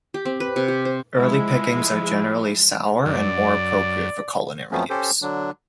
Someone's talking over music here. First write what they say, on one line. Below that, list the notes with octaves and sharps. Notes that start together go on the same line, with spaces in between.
Early pickings are generally sour and more appropriate for culinary use.
G4
C4
B4
C3
G4
C5
F3 G#3 E4
F#2 D5
F2 F3 F#3 A3 B3 C#4
C#4 G4 A4 C5
D3 F#3 D4